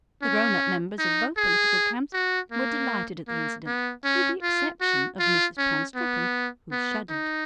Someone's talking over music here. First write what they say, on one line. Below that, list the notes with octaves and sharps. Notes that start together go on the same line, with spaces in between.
The grown-up members of both political camps were delighted at the incident--with the exception of Mrs. Panstreppon, who shuddered.
C#4
D#4
G#4
F#4
A#3
A#3
B3
C#4
F4
F#4
F4
C#4
B3
B3
D#4